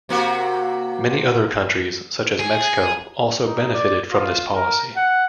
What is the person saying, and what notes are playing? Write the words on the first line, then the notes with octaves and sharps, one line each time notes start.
Many other countries, such as Mexico, also benefited from this policy.
C3 A#3 F#4
G#4
D#4
D5
F4
A#4
F#5